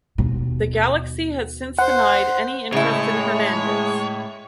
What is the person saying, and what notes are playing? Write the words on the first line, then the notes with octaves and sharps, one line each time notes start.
The Galaxy has since denied any interest in Hernandez.
D#2 B2
C5 F#5
A2 C#3 G#3 E4 C#5